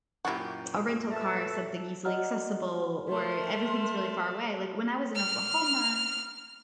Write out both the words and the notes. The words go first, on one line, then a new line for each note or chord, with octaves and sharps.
a rental car or something easily accessible, or everything's really far away. Like, when I was in Oklahoma,
F#2 A#2 E4 F#4 G4
A3 B4 E5 A5
F#4 D5 D#5 F#5 A#5 F6
A3 A#4 C6
F6